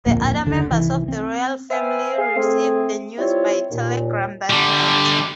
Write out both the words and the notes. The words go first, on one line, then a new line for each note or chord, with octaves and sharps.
The other members of the royal family received the news by telegram that night.
D1 A#1 F2 A#3
F#1 D#2 D3
C2 D#3 E3
C4
B4 C5 E5 F5 G5 G#5
G#4 F5
A3 C4 G#4
G3 C4 E4 F4 C#5
D#2 A#2
D3 G3